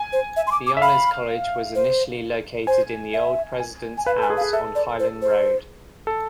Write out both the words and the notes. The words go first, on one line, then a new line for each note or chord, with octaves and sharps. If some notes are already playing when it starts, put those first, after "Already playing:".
The Honors College was initially located in the Old President's House on Highland Road.
Already playing: G#5
C5
E5
C6
D6
D6
E5
F5 B5
C5
C5 G#5
E5
G#5
G#5
B4 F5
A4
G#5
G#4
F5
G#4
A4 E5
D5
C5
C5
A4